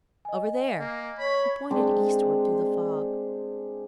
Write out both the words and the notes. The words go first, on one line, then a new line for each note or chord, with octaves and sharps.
'Over there,' He pointed eastward through the fog.
D#5 G#5
A#3
C#5 B5
G#3 C4 D4